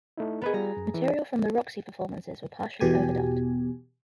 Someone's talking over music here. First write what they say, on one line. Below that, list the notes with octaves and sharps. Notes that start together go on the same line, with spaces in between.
Material from the Roxy performances were partially overdubbed.
A3 D#4 E4
B3 G#4 A#4 B4 D#5
G3 F4 A#5
F#2
E3
E2 B2 G4 G#5